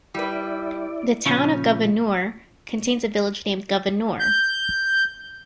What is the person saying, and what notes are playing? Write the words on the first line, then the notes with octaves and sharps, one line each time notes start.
The Town of Gouverneur contains a village named Gouverneur.
G3 E4 B4 D5
A#2 C#3 F3 C#4
G6